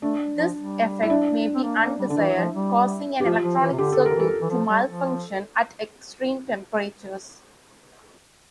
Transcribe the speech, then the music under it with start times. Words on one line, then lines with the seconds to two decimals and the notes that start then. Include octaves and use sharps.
This effect may be undesired, causing an electronic circuit to malfunction at extreme temperatures.
0.02 A3 D4
0.38 F3
0.56 G3
1.03 E4
1.10 D4
1.54 C4
1.63 A#3
1.81 A#3
1.99 G3
2.09 D3 D4
2.17 E3 E4
2.36 F3
2.54 G3
3.20 G4
3.24 F3 F4
3.43 F3
3.61 E3
3.72 C3
3.78 D3 G4
3.92 D3 A4
4.06 D3 A#4
4.15 E3 A4
4.41 E3
4.50 F3
4.68 G3
4.86 F3